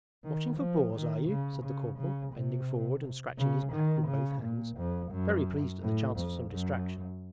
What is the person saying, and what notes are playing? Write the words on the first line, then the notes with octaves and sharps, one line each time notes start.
'Watching for boars, are you?' said the corporal, bending forward and scratching his back with both hands, very pleased at the chance of some distraction.
D#3
F3
D#3
C#3
C#3
C#3
C3
C#3
D#3
C#3
A#2
F2
F#2
A2
F2
F#2